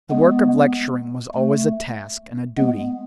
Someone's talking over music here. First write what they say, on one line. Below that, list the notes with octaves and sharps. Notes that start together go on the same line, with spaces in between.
The work of lecturing was always a task and a duty.
G#3 B3
A3
G#3 B3